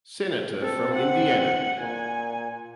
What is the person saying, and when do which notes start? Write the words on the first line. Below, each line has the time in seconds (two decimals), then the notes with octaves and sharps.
Senator from Indiana.
0.62 C4 A4
0.94 F#5
1.80 A#2 G#5